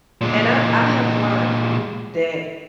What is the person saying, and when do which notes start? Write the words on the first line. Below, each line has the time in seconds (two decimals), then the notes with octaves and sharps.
And I I have learned that
0.21 A#2 G#3